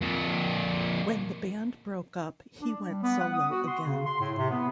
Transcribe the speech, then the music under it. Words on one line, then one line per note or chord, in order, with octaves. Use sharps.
When the band broke up, he went solo again.
F2 A#2
D4
G3
B3
F#5
D#6
F#4
C6
C#3
C6
A2
C3
B3